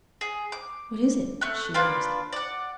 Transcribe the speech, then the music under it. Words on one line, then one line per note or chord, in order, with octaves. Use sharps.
'What is it?' she asked.
G#4
D6
A3 F#6
A#3 D4 F4 B4
D5 F#5